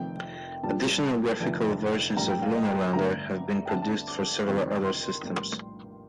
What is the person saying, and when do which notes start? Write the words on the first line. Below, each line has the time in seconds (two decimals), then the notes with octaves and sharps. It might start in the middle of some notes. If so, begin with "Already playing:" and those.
Additional graphical versions of "Lunar Lander" have been produced for several other systems.
Already playing: F1 F2 D#3 A3 C4 G5
0.63 A#1 A#2 G3 A5
1.40 F1 F2 D3 F3 A3
2.16 A#1 A2 G3 A#3 A#5
2.30 G5
2.42 F5
2.55 D#5
2.68 G5
2.93 G1 G2 D3 A3 A#5
3.66 G5
3.69 D2 D3 A3 C4 A5
3.82 A5
4.08 D6
4.46 F2 C3 D#3 A#3
4.85 C6
5.23 A#1 A2 G3 A#3